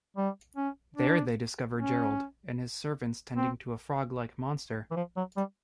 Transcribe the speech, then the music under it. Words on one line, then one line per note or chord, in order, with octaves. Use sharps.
There they discover Gerald and his servants tending to a frog-like monster.
G3
C#4
D4
C#4
C4
E3
F3
F#3
G3